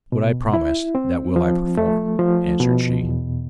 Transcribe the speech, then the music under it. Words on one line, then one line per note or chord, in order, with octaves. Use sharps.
'What I promised that will I perform,' answered she.
B2
E4
C4
F3
A3
F3
B2
E2